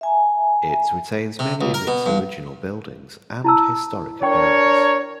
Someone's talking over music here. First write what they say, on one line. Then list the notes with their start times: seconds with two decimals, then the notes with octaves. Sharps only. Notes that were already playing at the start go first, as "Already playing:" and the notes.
It retains many of its original buildings and historic appearance.
0.01 E5 G#5 A#5
1.39 C3
1.61 C#2
1.74 A#4
1.87 B2
2.06 G2
3.44 E4 A5 E6
4.23 D4 A#4 C#5 G5 C#6